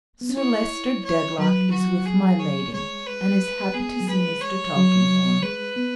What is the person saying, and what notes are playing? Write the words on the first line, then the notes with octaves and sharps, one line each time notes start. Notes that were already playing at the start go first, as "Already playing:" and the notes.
Sir Leicester Dedlock is with my Lady and is happy to see Mr. Tulkinghorn.
B3
C#4
E4 C#5
C#5
F#3 B4
F#4
G#4
C#5
G#3 C#5
B4
B3 G#4
F#3
G#3 B4
C#5
F#3
G#3 B4
B3